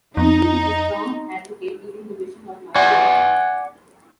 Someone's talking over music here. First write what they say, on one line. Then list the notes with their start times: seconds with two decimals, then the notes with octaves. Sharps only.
Wilson was a strong advocate, using the vision of Michael Young.
0.17 F2 D#4
2.75 D5 F#5 G#5